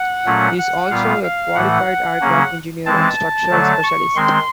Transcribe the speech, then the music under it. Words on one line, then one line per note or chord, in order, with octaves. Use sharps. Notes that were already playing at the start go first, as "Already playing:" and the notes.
He is also a qualified aircraft engineer and structural specialist.
Already playing: F#5
A#2 F#3 A3 C#4
F#5
A#2 G3 B3 F5
F5
A2 E3 A3 F#5
C#3 F#3 A#3 C#4
E3 G#3 C4 A5
D3 F#3 A3
C#6
D#3 G#3 C4 C6